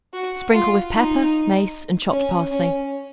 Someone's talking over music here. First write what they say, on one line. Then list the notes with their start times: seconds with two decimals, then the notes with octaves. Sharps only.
Sprinkle with pepper, mace and chopped parsley.
0.13 F#4
0.54 F4
0.93 D#4
2.12 C#4
2.51 C#4